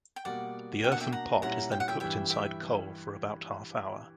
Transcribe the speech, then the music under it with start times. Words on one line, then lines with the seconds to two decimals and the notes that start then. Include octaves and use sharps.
The earthen pot is then cooked inside coal for about half hour.
0.16 G5
0.25 B2 G3 A#3 D5 F#5
0.83 B2 A#3 D4 G5
0.92 F#5
1.00 E5 G5
1.12 F#5 A#5
1.42 A#2 G3 C#4 E4 F#5 A#5
1.72 G5
1.80 F#5
1.88 E5 G5
2.00 G2 E3 G3 E5 G5
2.30 E5 G5